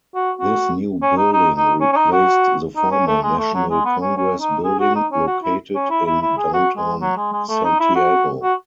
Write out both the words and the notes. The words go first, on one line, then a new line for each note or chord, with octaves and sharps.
This new building replaced the Former National Congress Building, located in downtown Santiago.
F#4
F#4
C#4
D#4
D#4
D#4
C#4
C#4
D#4
F#4
D#4
C#4
A3
G#3
A3
F#3
G#3
B3
C#4
C#4
D#4
G#4
F#4
D#4
C#4
F#4
E4
C#4
E4
E4
E4
G#4
F#4
G#3
F#3
G#3
G#3
A3
D#4
E4
F#4
F#4